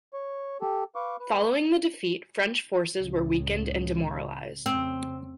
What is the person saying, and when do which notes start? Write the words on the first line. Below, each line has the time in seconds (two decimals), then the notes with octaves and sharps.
Following the defeat, French forces were weakened and demoralized.
0.13 C#5
0.61 G4 A4
0.95 B4 F5 C#6 D6
1.20 B4
3.01 C#2 A2 C#3
4.66 F2 C#3 C4